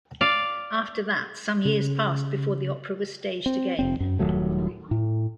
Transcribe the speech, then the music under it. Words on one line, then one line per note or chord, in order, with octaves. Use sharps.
After that some years passed before the opera was staged again.
D5 F5
C#3
C4
F1 C4
F#2
D#1 D#3 F#3 A3
A2